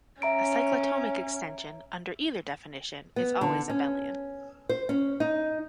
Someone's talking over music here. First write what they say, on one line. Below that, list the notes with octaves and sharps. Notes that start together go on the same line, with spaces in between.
A cyclotomic extension, under either definition, is always abelian.
C#4 E5 A#5 D7
B3
D3
C#4
C5
C#4
D#4